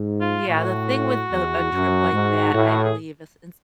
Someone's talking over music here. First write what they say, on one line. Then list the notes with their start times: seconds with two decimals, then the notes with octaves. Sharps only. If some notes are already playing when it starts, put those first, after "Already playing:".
Yeah, the thing with the a trip like that, I believe, is ins
Already playing: G#2
0.21 F4
0.48 A2 F#4
1.30 E2
1.72 F#2
2.13 G#2
2.54 A2
2.84 G#4